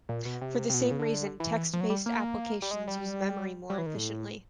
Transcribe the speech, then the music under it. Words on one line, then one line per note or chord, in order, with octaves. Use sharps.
For the same reason, text-based applications use memory more efficiently.
A#2
B2
C3
C3
B2
A#2
C#3
D3
E3
F3
F#3
G3
A#3
G3
G#3
G3
G3
E3
D#3
A2